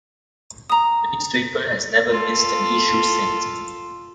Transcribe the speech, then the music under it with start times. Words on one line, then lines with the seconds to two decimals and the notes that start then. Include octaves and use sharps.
The newspaper has never missed an issue since.
0.69 A#5 D#6
2.09 F4 A4